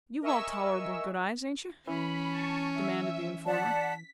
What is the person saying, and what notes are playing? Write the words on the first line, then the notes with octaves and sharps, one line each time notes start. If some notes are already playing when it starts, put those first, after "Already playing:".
You've all tolerable good eyes, ain't you?' demanded the informer.
A#4 D#5 E5 G#5 C#6 E6
E3 C#4 B5
A5 C#6
E5
D5 F#5 A5 B6